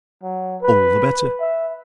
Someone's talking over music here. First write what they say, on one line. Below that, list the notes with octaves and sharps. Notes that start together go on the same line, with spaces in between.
All the better.
F#3
B4
E5